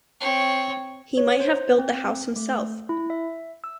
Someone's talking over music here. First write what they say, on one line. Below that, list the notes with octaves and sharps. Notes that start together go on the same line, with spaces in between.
He might have built the house himself.
C4 C#5
C#5
C5
C4
A3
E4
E5
E6